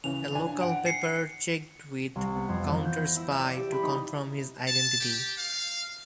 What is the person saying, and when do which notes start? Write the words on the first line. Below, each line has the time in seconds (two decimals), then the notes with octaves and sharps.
A local paper checked with "CounterSpy" to confirm his identity.
0.04 C#3 E3 F7
0.33 D4 G#5
0.61 F#5 G5 D7
0.86 C7 C#7
2.15 C2
2.35 B3
2.49 F2
2.68 E3
2.85 G6
3.04 A#6
3.16 E4
3.30 E5
3.44 D5
3.57 G4
3.72 B5
3.83 D#4
4.67 A5
5.00 G4
5.38 F5